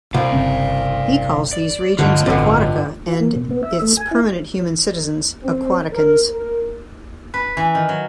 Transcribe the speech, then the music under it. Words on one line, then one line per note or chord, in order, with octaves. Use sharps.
He calls these regions "Aquatica" and its permanent human citizens "Aquaticans".
C2 B2 D5 F5
G1 C#3 C4
D5
D2 G2 D3 F4 D#5
A1 D2 G2 D3 C4
F4
A#3
B2
B3
E5
A3
G#5
E4
C4
A#4
A#4
B4
E3
D#3
F#3